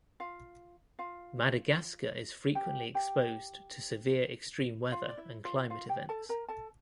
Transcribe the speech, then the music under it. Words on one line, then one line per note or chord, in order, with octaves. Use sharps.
Madagascar is frequently exposed to severe extreme weather and climate events.
F4 F5
F4 F5
G4 G5
G4 G5
F4 F5
D5
E4 E5
F4 F5
F4 F5
G4 G5
A4 A5
A#4 A#5
A4 A5